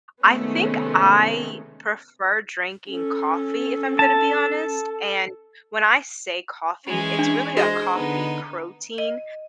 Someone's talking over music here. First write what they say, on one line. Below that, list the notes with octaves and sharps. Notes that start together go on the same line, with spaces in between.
I think I prefer drinking coffee if I'm gonna be honest, and when I say coffee, it's really a coffee protein.
C3 D#3 G#3 A3 B3 C#4
C#4 A4
A5
E3 G#3 C#4
D4
G#3 C5 D#5
D3 B3 D#4
D#5